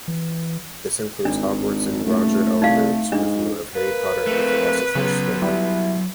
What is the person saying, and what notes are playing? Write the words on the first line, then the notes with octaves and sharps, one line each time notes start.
This includes Hogwarts in Roger Ebert's review of "Harry Potter and the Philosopher's Stone".
E3
G#1 D4
D#1 A3
C2 D#4 F5
G#2 D4
A#3 B4
A3 C4
C#3 F#3 B3
G3 E4